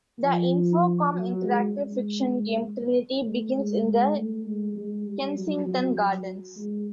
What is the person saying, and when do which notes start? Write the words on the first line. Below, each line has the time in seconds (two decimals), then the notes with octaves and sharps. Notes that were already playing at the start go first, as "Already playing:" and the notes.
The Infocom interactive fiction game "Trinity" begins in the Kensington Gardens.
0.23 F3
1.13 F#3
1.43 G#3
1.74 G#3
3.25 A3
3.55 G#3
3.85 G#3
4.15 A3
4.45 G#3
4.75 G#3
5.05 G3
5.35 F#3
5.66 F#3
5.96 F#3
6.56 G#3